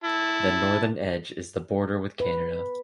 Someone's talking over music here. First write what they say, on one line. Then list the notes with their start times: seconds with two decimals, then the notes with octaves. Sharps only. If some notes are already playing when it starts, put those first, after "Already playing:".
The northern edge is the border with Canada.
0.04 E4 A5
2.20 B4